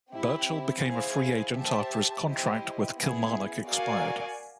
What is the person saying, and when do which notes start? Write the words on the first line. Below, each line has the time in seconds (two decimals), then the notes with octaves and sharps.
Burchill became a free agent after his contract with Kilmarnock expired.
0.11 C4 E4 G4
0.83 E4 G#4 C5 F5
1.54 G4 C5 E5 A5
2.25 E4 G4 C5 D#5
2.96 B3 E4 G#4
3.66 F#4 A#4 D5 F5 G#5